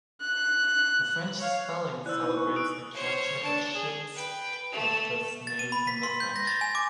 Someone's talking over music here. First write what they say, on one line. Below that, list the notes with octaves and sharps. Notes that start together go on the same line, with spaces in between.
The French spelling celebrates the capture of ships of this name from the French.
F#6
C#5 F5
E4 C5 D5 E6 F#6
D#4 E4 G#5
C#6
D#6 F#6 D7
C5 C#5
D4 A5
G#4
B4 G5
A3
A6
D#7
B5
B6
C6
G6
A#6
A6
G#5
D6